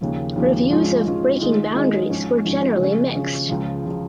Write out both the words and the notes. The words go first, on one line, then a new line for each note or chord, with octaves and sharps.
Reviews of "Breaking Boundaries" were generally mixed.
D#2 C#3 F3 A#3
D#2 C#3 F3 A#3
G#2 F3 G#3 C#4 F4
G#2 F3 G#3 C#4 F4
D#3 G#3 F4 G#4 D#5
D#3 G#3 F4 G#4 D#5
G#2 F3 C#4
G#2 F3 C#4
C#3 F3 C#4
C#3 F3 C#4
C#2 C#3 F3
C#3 F3